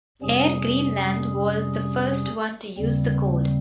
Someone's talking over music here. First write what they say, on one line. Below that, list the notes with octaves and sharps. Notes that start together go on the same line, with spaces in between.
Air Greenland was the first one to use the code.
F2 C3 G3 C#4 G#4
D#2 C#3 G3 C4